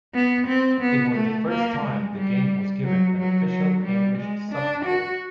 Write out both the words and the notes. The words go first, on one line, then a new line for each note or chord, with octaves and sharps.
It was the first time the game was given an official English subtitle.
B3
C4
B3
A3
A#3
G#3
G3
F#3
F#3
F#3
G3
G#3
D4
F#4